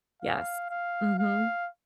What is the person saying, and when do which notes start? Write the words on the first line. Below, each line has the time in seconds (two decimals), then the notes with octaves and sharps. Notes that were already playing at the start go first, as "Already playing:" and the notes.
Yes. Mhm.
0.22 F5
0.69 F5
1.18 F5